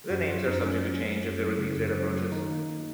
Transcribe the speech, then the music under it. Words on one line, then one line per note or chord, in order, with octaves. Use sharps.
The names are subject to change as their release date approaches.
F#2 F#4
F#3 F4
F#2 D#4
F#2 C#4
F#2
F#2
F#2
F#3
C#3
F#2
F#2
F#3
D#3 D#4
A#3